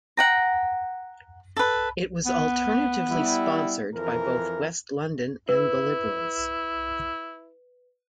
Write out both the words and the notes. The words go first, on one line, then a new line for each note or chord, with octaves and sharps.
It was alternatively sponsored by both West London and the Liberals.
F#5 G5 A#5
A4 B4
B3
G3 E4
F2 E3 A#4
E4 B4